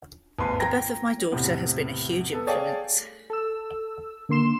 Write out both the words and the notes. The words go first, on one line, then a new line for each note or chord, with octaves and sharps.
The birth of my daughter has been a huge influence.
G#1 D#2 B4 G#5 C6
G5 A#5 G#6 A#6
E2 A2 C3
B3 A4
G#4 C#5 D5 F5 G5 A5
A4 E6
D3 A#3 C6 E7